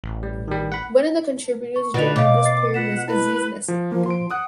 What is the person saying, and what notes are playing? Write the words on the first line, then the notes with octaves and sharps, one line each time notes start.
One of the contributors during this period was Aziz Nesin.
A1
G3
D#3 G3
F#5 B5
C#6
D3 D#4 F4 F#4 B4 A6 F7
B2 C#5 D#5 F5 D6
A6 C7
F4 F#5 B6 E7
E4 B4
F3
F3 A#3
F3 C6 D7
F#5 D#6 F#6